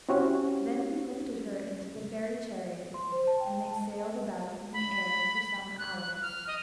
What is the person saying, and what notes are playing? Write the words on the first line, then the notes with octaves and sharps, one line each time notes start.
Then he lifted her into the fairy chariot, and they sailed about in the air for some hours.
C4 C#4 E4 F#4 G4 C#5
C6
C5
A5
G5
A5
B5
F#6
F6
D#5